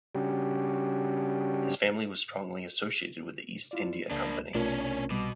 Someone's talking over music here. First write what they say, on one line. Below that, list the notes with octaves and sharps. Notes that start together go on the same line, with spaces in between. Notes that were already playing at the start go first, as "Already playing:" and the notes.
His family was strongly associated with the East India Company.
C#3 G3 C#4 D4 F#4 G4
E4 F4 D5
C#2 C#3 A#3 D4
B1 C3 A3 C#4 D4 F4 A#4
B2 G3 D6